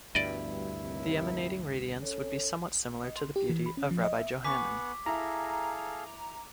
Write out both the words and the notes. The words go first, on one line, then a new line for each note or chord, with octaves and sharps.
The emanating radiance would be somewhat similar to the beauty of Rabbi Johanan.
D2 G2 B2 G3 E4 D5 D#5
D#2 C3
C#4 A4 C#5
D#5
C6
G4
E3
B5
C#4
F3
D#5
E5
B3 F#5 G#5 C#6 D6 B6
E4 G#4 A4 F5 A#5